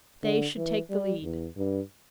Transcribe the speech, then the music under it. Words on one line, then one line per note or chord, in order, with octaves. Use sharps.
They should take the lead.
D3
E3
G3
E2
G2